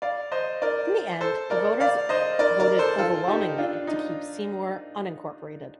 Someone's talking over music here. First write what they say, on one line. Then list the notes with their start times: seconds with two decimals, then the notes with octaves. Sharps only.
In the end, the voters voted overwhelmingly to keep Seymour unincorporated.
0.02 D5 F5
0.32 C5 D#5
0.62 A#4 D5
1.21 A4 C5
1.50 A#4 D5
1.80 D5 F5
2.09 C5 D#5
2.39 A#4 D5
2.60 A#4 D5
2.78 A4 C5
2.98 F4 A4
3.28 D#4 G4
3.58 D4 F4
3.87 D#4